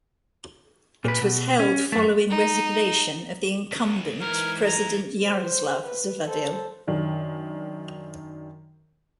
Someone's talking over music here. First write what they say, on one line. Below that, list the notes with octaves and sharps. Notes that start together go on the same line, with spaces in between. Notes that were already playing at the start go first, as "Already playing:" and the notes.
It was held following resignation of the incumbent President Jaroslav Zavadil.
A#2 B4
B2
C#4
F#2 A3
D#4
C#2
F2 G#2 E3 A#4 G#6
A#5
C5
B4
A4 C5
F#2 D#3 D4